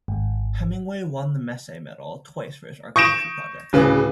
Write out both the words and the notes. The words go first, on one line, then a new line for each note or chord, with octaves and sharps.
Hemingway won the Massey medal twice for his architecture projects.
G#1
C#6 D#6 G6 A#6 D7 E7
D1 C#3 B4